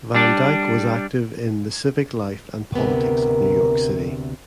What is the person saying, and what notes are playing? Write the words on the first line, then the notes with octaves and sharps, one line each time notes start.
Van Dyck was active in the civic life and politics of New York City.
G3 D4
D2 C3 B3 A#4